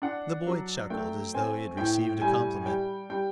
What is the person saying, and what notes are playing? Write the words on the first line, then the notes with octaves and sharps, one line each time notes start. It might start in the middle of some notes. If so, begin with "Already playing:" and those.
The boy chuckled as though he had received a compliment.
D4 F#5
F#3
A3 G5
C4 G#5
A2 G5
G3 G#5
G3 G5
G3 G5